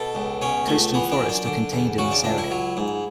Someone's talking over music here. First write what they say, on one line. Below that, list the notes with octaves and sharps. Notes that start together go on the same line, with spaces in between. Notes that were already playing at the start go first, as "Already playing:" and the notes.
Coast and forest are contained in this area.
Already playing: B2 A4
C#2
B2 C#4
C#2 A3
E3 B3
D4
F#2
D4
D3
E2
C#3 F#4
D4
C#2 D4
E4
F#3
G#2